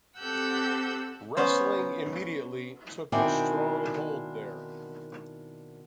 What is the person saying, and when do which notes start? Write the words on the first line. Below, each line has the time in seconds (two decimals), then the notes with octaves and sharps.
Wrestling immediately took a strong hold there.
0.17 C4 G4 A4 F#5 E6 G6
1.37 B3 C#4 C5
3.12 B2 D#3 C4 D4 E4 G#5